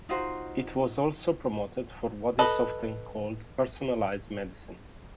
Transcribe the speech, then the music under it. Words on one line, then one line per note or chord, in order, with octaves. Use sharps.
It was also promoted for what is often called Personalized Medicine.
D#4 F4 F#4 C5
A4 B4 D#5